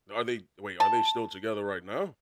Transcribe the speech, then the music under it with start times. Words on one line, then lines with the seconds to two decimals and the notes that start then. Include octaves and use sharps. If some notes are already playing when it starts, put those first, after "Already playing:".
Are they wait, are they still together right now?
0.80 A5